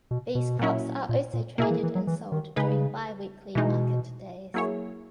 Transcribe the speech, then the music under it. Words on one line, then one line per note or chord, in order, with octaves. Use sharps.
These crops are also traded and sold during bi-weekly market days.
B2
B2
A#2 F#3 C#4 E4
A#2
A#2
B2 A#3 E4 G#4
E3
E3
F#3
E3
D#3
C#3 G#3 D#4 G#4 B4
B2 E3 G#3 D#4
F#3 A#3 E4 G#4 C#5